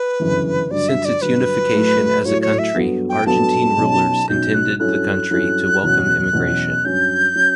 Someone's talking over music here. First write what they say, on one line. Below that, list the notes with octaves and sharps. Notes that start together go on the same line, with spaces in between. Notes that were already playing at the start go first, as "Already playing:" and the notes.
Since its unification as a country, Argentine rulers intended the country to welcome immigration.
Already playing: B4
G1 F#2 C#3 E3
G2 D3 F#3 D5
E5
D5
G2 D3 F#3 B4
A2 F#3 A3 E4
A2 F#3 A3 E4 C#5
C#5
E5
G2 F#3 B3 F#4 A4
G5
G2 F#3 B3 F#4 A4 A5
B1 B2 F#3 C#4
B1 B2 F#3 C#4 G6
F#6
G2 F#3 C#4 E4 A4 F#6
G2 F#3 C#4 E4 A4
E2 B2 F#3 C#4 F#4
E2 B2 F#3 C#4 F#4
G2 F#3 C#4 G6
F#3 C#4